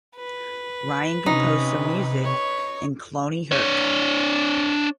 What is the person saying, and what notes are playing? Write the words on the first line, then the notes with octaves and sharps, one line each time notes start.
Ryan composed some music in Cloneyhurke.
B4
C3 C#4 D#4
C#5
D4 C#5